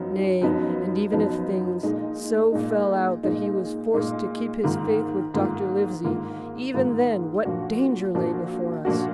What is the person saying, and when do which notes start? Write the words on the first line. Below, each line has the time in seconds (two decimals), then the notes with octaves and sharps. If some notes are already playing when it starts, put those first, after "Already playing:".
Nay, and even if things so fell out that he was forced to keep his faith with Dr. Livesey, even then what danger lay before us!
Already playing: F#2 F3 B3 D#4
0.42 F#2 F3 B3 D#4
1.12 F#2 F3 B3 D#4
1.83 A#2 G#3 D#4
2.52 A#2 G#3 D#4
3.23 A#2 G#3 D#4
3.94 A#2 G#3 D#4
4.64 G#2 D#3 A#3 F4
5.34 G#2 D#3 A#3 F4
6.04 G#2 D#3 A#3 F4
6.74 G#2 D#3 A#3 F4
7.45 A#2 F3 A#3 D4 F#4
8.15 A#2 F3 A#3 D4 F#4
8.85 A#2 F3 A#3 D4 F#4